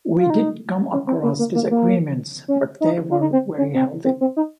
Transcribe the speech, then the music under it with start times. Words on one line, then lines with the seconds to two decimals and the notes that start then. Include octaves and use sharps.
We did come across disagreements, but they were very healthy.
0.19 F4
0.30 D#4
0.93 C#4
1.07 C4
1.23 A#3
1.39 A#3
1.55 A#3
1.71 A#3
2.48 C#4
2.81 D#4
3.11 F4
3.21 D#4
3.33 C4
3.58 C#4
3.74 C4
4.05 C4
4.21 C4
4.37 D#4